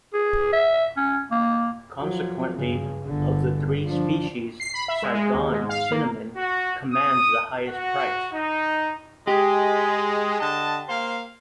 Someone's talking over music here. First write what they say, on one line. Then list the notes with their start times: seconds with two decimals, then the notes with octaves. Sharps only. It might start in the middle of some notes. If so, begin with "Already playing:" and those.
Consequently, of the three species, Saigon cinnamon commands the highest price.
0.14 G#4
0.53 E5
0.97 C#4
1.31 A#3
2.00 F3 F#3
2.55 G2 C#3
3.05 G1 D3
3.86 F3 D4
4.60 C7
4.74 B5
4.88 E5
5.02 G#3
5.14 G#3
5.34 D#2
5.52 G#2
5.69 F5
5.91 A#3
6.36 F#4
6.91 D#6
7.69 F#4
8.33 D#4
9.27 G#3 G4
10.41 D3 D#5 A5
10.89 A#3 C5 F5